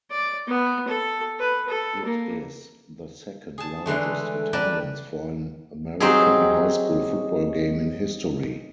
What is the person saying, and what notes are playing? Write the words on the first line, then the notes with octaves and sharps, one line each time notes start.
It is the second-largest attendance for an American high school football game in history.
D5
B3
A4
B4
A4
A#3
G#4 A5
D3 E3 G#3 A3
A#4 B4 D5 G5 A5
F#3 C4 D#4 G4 G#4